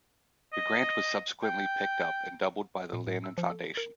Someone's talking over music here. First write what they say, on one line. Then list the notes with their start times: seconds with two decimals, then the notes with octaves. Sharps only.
The grant was subsequently picked up and doubled by the Lannan Foundation.
0.53 D#5
1.43 G5
2.93 A#2
3.07 A2
3.24 E6
3.38 F3
3.50 A4
3.77 A#4